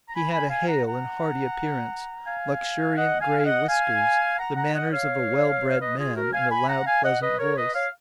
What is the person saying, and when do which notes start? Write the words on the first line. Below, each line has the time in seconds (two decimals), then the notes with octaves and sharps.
He had a hale and hearty appearance, luxuriant grey whiskers, the manners of a well-bred man, and a loud, pleasant voice.
0.08 A#5
0.15 G#5 B5
0.33 G#5 B5
0.50 F5 G#5
0.68 F#5 A#5
0.86 F#5 A#5
2.27 F5 G#5
2.97 D#5 F#5
3.21 F5 G#5
3.40 G#5
3.44 D#5 F#5
3.69 F5 G#5
4.39 F#5 A#5
4.56 F#5 A#5
4.75 D#5 F#5
4.93 C#5 F5
5.81 B4 D#5
5.99 F4 G#4
6.16 F#4 A#4
6.33 F5 G#5
6.51 G#5 B5
6.69 F#5 A#5
6.86 F5 G#5
7.04 D#5 F#5
7.22 B4 D#5
7.39 A#4 C#5
7.57 B4 D#5
7.75 C#5 F5